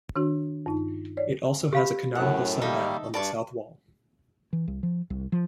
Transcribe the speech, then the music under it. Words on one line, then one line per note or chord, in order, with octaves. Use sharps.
It also has a canonical sundial on the south wall.
D#3 D4 F#4
G2 D#4
C#5 D5
G4 F5 B5
F#2 A2 F#5
D#3 G3 A#3 D#4 A4 E5
G2 D5 A5 C#6
E3
C2
F3
C2
F3